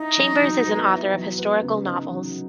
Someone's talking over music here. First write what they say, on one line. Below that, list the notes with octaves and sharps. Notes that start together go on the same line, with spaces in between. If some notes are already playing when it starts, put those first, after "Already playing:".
Chambers is an author of historical novels.
Already playing: D#4 E4
F#3
F#3
B3
E4
F#3
B3
C#3
D#4
F#3